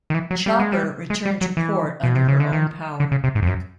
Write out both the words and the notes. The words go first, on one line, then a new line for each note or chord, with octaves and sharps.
"Chopper" returned to port under her own power.
D#3
E3
F#3
G3
G#3
G3
G#3
G3
F#3
E3
B2
C3
C#3
D3
D#3
D3
C#3
C3
G#2
F2
F#2